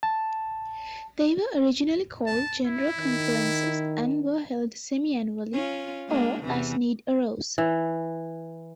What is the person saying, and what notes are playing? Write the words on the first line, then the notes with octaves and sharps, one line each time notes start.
They were originally called General Conferences and were held semiannually, or as need arose.
A5
A5
E4
D#3
C#4 F4
G#3 A#3 D4
E2 C3 E3
E3